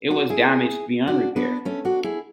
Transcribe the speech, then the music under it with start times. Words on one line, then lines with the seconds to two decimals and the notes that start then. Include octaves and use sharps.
It was damaged beyond repair.
0.10 D4 F#4
0.30 E4 G#4
1.07 D4 F#4
1.36 B3 D4
1.65 A3 C#4
1.85 D4 F#4
2.04 E4 G#4